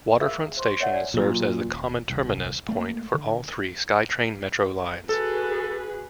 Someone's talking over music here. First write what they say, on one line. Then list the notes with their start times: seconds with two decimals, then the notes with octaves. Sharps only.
Waterfront station serves as the common terminus point for all three SkyTrain metro lines.
0.20 G#4 A#4 E5 F5 D#6 E6
0.57 C5 C6 C#6
0.80 A#4 C#5 D5 E5 F#5
0.94 D5 G#5
1.14 A#2 F#3
1.66 D#1
2.08 D#1 C2
2.69 A3 A#3
3.14 D3
5.09 F#4 G#4 A4 B4